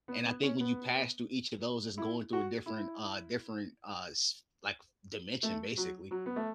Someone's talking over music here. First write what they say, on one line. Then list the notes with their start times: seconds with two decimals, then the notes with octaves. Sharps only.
And I think when you pass through each of those, it's going through a different uh, a different, uh s like, f dimension, basically.
0.08 B3
0.25 B3
0.43 C#4
0.60 B3
1.98 E4
2.33 F#4
2.66 E4
5.43 A3
5.77 F#3
6.11 F#3
6.26 B3
6.36 A3